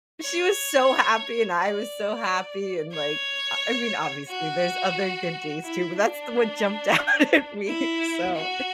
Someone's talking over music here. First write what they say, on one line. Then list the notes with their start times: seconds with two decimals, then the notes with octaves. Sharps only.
she was so happy, and I was so happy, and, like, I I mean, obviously, there's other good days too, but that's the one jumped out at me, so,
0.21 C#5
1.57 D5
2.93 C#5
4.28 F#4
5.64 E4
5.98 D4
7.67 E4
8.35 F#4